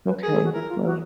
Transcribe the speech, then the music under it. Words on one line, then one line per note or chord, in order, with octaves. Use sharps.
Okay, well
B4
G#4 A#4
A4
F#4
E4 A#4
F4
F#4